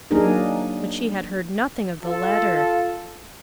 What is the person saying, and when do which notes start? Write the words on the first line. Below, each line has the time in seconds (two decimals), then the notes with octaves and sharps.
But she had heard nothing of the letter.
0.11 F#3 A#3 D4 D#4 G#4 A#4
2.03 F4 A4